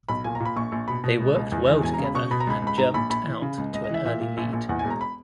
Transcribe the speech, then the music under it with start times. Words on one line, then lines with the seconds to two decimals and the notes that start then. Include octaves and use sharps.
They worked well together and jumped out to an early lead.
0.09 B1 B5
0.24 A#2 G#5
0.35 A#5
0.40 A#2
0.45 B5
0.56 A#1 C#6
0.72 A#1
0.88 B2 B5
1.04 B2
1.20 C#2
1.36 C#2
1.52 E2
1.67 E3
1.83 E1 G#5
1.94 A#5
1.99 C#3
2.04 B5
2.15 B2 C#6
2.31 B2 B5
2.40 A#5
2.47 C#2 B5
2.62 C#2
2.67 B5
2.78 G#2 A#5
2.94 A#1 B5
3.10 A#1 B5
3.26 E3
3.42 C#3
3.58 C#2
3.74 C#2 D#5
3.84 D#5
3.89 E3 E5
4.05 A#2 E5
4.21 A#2
4.37 A#1
4.53 A#1
4.69 E2 F#5
4.79 G#5
4.85 E1
4.90 A#5
5.01 B5